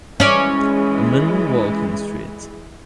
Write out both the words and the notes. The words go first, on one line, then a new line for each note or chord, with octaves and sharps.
A man walks on the street.
E3 G#3 C#4 D5